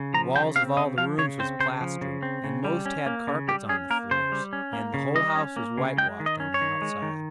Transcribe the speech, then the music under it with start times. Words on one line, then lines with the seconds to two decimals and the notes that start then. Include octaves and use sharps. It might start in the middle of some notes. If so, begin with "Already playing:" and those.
The walls of all the rooms was plastered, and most had carpets on the floors, and the whole house was whitewashed on the outside.
Already playing: C#3
0.14 F3 A#5
0.35 C#3 G5
0.56 C4 F5
0.77 C#3 D#5
0.98 F3 F5
1.18 C#3 C#5
1.39 C4 C5
1.60 C#3 C5
1.81 F3
2.01 C#3
2.23 C4
2.44 C#3
2.65 G3
2.86 C#4
3.06 A#3
3.27 C#3
3.48 G3 G4
3.69 C#4 G#4
3.90 A#3 A#4
4.11 C#3 C5
4.32 G3
4.53 C#4
4.73 A#3
4.94 C#3
5.15 G3 D#5
5.35 C#4
5.56 A#3
5.78 C#3
5.98 G#3 G5
6.20 D#3
6.26 D#5
6.40 C#4
6.54 C#5
6.61 D#3
6.82 G#3
7.02 D#3